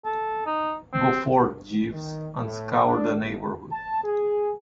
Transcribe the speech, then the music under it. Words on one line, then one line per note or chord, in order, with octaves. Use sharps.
Go forth, Jeeves, and scour the neighbourhood.
A4
D#4
C4
D#3
A2
D4
G1
A5
G#4